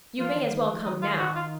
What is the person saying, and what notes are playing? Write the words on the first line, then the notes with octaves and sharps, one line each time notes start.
You may as well come now.
F3 F4
D#3
D#3
F3
D#3 D#4
F4
F#4
F4